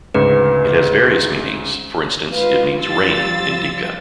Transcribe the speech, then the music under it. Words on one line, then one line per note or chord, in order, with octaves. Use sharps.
It has various meanings; for instance, it means "Rain" in Dinka.
D2 G#2 C#3 B4
G#3 F4 B4 F5
F3 G3 F4 E6 A6